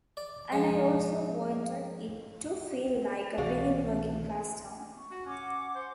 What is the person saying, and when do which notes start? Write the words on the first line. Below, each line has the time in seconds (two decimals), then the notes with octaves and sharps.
And I also wanted it to feel like a real working class town.
0.17 D5
0.52 F3 G#3
3.38 C2 B2 E3 F#4 D5 F5
4.96 C#6
5.11 F#4
5.25 C#4 F#5 D6
5.75 C5